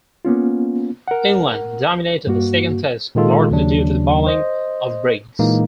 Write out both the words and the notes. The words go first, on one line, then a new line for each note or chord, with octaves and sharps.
England dominated the second Test, largely due to the bowling of Briggs.
A#3 B3 C#4 F4
A#4 F#5
G2 A#3 F#4
A#2 D#3 G#3 F4 A4
D#2 C#3 F#3 D4
C5 D#5
A#2 E3 G#3 A#3 D#4